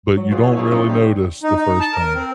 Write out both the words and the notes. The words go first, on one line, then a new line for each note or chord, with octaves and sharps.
but you don't really notice the first time.
F#3
B2 F4 G#4
C#4 E4
A3 D#4 E4 G#4
C3 C#4 D#4 F4
D3 D#4 G4
D#4
D#4
A5
A#4
C4